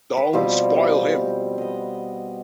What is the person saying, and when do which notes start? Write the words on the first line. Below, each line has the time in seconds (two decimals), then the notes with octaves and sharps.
Don't spoil him.
0.17 B4
0.33 B2 F3 G3 C4
1.58 B3 D#5